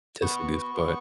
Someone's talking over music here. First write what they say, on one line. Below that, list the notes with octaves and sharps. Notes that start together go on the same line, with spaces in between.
Yes, it is, but
B3 C#6
F#4
B3
B3